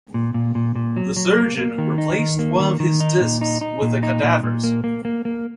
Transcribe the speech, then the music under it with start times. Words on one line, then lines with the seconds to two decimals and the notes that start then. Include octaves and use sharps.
The surgeon replaced one of his discs with a cadaver's.
0.14 A#2
0.34 A#2
0.55 A#2
0.75 A#2
0.96 F#3
1.17 F#3
1.37 A#3
1.58 A#3
1.78 D#3
1.98 D#4
2.19 D#3
2.39 A#3
2.60 D#3
2.80 D#3
3.00 D#4
3.21 A#2
3.41 D#4
3.61 D#4
3.82 A#2
4.03 D#4
4.23 A#2
4.43 A#2
4.64 A#3
4.84 A#3
5.05 A#3
5.25 A#3